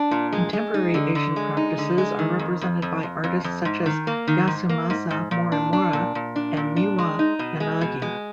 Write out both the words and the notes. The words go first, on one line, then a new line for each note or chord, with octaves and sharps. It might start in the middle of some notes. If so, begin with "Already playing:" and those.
Contemporary Asian practices are represented by artists such as Yasumasa Morimura and Miwa Yanagi.
Already playing: D4
A#2
G#3
G#3
D#4
D3
D3
G#3
D#4
D3
G#3
D#3
F2
F2
F2
F2
F2
F2
G#2
D#3
A#3
D#3
G#2
A#3
G#2
G#2
A#2
D4
D4
A#2
A#2
D4
A#2
D4
G#3
D#4
B2
G#3
B2
G#3